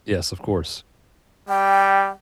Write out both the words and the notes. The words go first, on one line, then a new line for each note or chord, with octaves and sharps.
Yes, of course.
G3 G5